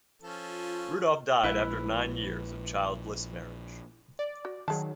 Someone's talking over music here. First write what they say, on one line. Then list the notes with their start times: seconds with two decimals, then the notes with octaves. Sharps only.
Rudolph died after nine years of childless marriage.
0.22 F3 C#4 A4
0.48 F4
1.43 A#1 G#3 E4 B4
4.19 D5
4.45 F#4
4.68 D#3 F#3 G#4 A5